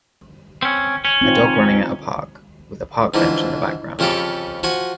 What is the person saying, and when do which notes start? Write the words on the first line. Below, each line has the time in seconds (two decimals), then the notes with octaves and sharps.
A dog running at a park, with a park bench in the background.
0.62 C4 C#4
1.05 C#4
1.21 C4 D#4 F4
3.14 G#2 D3 E3 F3
3.99 F2 C#3 F3 G4 A4 D6
4.63 F3 F#4 G#5